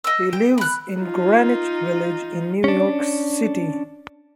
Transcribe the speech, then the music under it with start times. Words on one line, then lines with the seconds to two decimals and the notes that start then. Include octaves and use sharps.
He lives in Greenwich Village in New York City.
0.04 D#5 E6
0.33 G5
0.58 B5 F#6
1.01 D#4 F4
2.64 C#4 D4